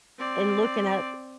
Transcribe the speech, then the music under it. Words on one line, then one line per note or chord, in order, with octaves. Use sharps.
and looking at
C4 D5